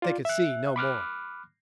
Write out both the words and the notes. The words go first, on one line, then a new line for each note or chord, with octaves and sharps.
They could see no more.
F4 D5
E5 F#6
B5 D6 F6 F#6